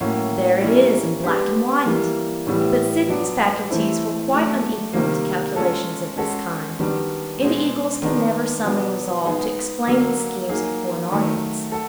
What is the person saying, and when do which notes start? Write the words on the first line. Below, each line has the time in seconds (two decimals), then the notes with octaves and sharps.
'There it is in black and white!' But Sidney's faculties were quite unequal to calculations of this kind, and Eagles could never summon resolve to explain his schemes before an audience.
0.01 A2 F#3 A#3 C#4 F#4
0.62 G3 A#3 C#4 E4
1.24 G#3 B3 D4 G4
1.85 E3 G3 A#3
2.47 A2 E3 G3 B3
3.08 F#3 B3 D4
3.70 E3 A3 C4 E4
4.32 F#3 A3 D4
4.93 C3 D#3 G3 A#3
5.56 G#3 C#4 F4 A4
6.17 G#3 C#4 F#4 A4
6.79 D#3 G3 B3 D4 F#4
7.40 B2 G#3 C4
8.02 D#3 G#3 B3 D4
8.63 B2 F#3 B3 D4
9.25 G#3 B3 D#4 G#4
9.87 D3 F#3 A#3
10.48 F#3 A#3 D#4 G#4
11.11 D#3 F#3 A3
11.72 F#4 A4